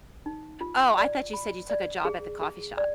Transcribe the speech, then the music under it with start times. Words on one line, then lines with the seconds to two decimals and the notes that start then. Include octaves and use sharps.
Oh, I thought you said you took a job at the coffee shop.
0.26 D#4
0.61 F4
0.97 D5
1.33 B5
1.70 D5
2.05 G#4
2.41 G#4
2.77 D5